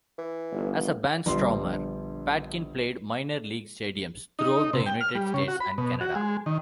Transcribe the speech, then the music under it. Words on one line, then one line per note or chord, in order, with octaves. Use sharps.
As a barnstormer, Patkin played minor league stadiums throughout the United States and Canada.
E3
G1
A#1 D3 G3 B3 C6
D#4
C3
G5
F6
G3
C#3
F#4
B5
B2
F#4
G#3
D#3